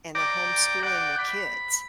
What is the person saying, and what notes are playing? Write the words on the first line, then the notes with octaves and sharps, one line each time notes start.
and they're homeschooling their kids.
D5 G5 A#5 D6
D5 F#5 G5 D6
B5